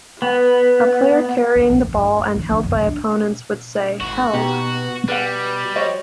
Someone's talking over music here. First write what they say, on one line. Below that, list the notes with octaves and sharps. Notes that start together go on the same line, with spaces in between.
A player carrying the ball and held by opponents would say, Held!
B3
D3
A#1
F#2
G2
G1
D#3
D3
F#1
C#3
D4
G#1 F#4
B2 B3 D#4 G4
B2 G3 B4 F#5
F#4 C5 C#5 D#5